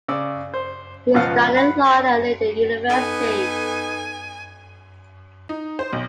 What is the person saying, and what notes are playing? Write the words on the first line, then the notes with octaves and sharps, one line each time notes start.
He studied law at Leiden University.
C#3 D5 E6
C5
C#2 B2 F3 F4 F5 F#5
F#5 B5
B3 D#4 A4 G#5
D#4
C5
B1